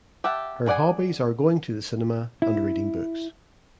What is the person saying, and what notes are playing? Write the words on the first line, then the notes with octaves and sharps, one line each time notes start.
Her hobbies are going to the cinema and reading books.
G4 E5 F#5 A5
G#4 C5 D5 F#5 G#5
E4